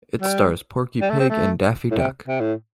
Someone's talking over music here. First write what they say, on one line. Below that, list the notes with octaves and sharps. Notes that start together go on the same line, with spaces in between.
It stars Porky Pig and Daffy Duck.
G3
G3
A3
C4
A3
A2
C3
C3
A2